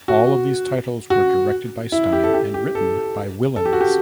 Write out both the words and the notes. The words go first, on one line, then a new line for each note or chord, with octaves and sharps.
All of these titles were directed by Stein and written by Willens.
F#4
F#4
E4
G4
A4
G4
G4
A4
A4
G4
F#4
G4